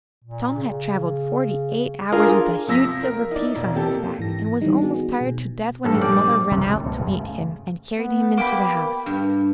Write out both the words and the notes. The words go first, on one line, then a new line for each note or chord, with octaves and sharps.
Tom had traveled forty-eight hours with a huge silver-piece on his back, and was almost tired to death, when his mother ran out to meet him, and carried him into the house.
A#2
C#3
D4 F4 G#4 A#4
C3 F3 E6 A#6 B6
A#4
D#4 E4 D5
E1
C3 A#3 G4 A4
G#2 E3 A#6
D#3 E3 G3 D#4
B3 F#4 G#4
B2
A1 G2 A4
A#1 G3 D5 D6
C3 D#3 F#3 A3
C#2 F#2 A2 A3
B2
F#2 C3 G#3
C#3 A3
B3
A#3 G4 B5
G2